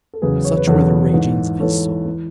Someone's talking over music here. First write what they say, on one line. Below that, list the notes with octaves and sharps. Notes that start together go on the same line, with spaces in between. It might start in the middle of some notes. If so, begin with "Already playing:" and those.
Such were the ragings of his soul.
A4
E2 C#3 F#3 G#4 B4
C#5
B4
E2 C#3 F#3 A4 C#5
G#2 E3
G#2 E3 A4 C#5
E3